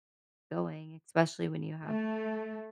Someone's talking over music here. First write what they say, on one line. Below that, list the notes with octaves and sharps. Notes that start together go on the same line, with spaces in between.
going, especially when you have
A3